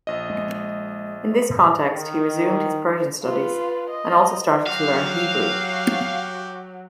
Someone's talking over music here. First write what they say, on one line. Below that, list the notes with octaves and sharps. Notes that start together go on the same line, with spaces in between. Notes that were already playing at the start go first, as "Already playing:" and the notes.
In this context he resumed his Persian studies and also started to learn Hebrew.
A#1 D#5
G#3
A2 C#3
D#3
F4 B4
D#5
F#3 F#4 G4 F5